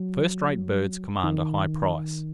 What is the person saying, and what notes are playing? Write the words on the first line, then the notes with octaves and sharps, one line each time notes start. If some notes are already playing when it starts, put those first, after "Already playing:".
First-rate birds command a high price.
Already playing: F#3
D#3